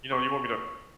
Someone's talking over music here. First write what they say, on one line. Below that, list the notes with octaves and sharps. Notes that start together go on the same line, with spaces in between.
you know, "you want me to
C#6